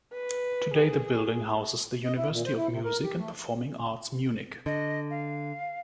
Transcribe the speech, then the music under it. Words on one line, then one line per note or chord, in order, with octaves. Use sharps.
Today the building houses the University of Music and Performing Arts Munich.
B4
G#4
D#5
E4
A#2
C5
E4
C3
A#4
G4
A3
D3 D#5
F5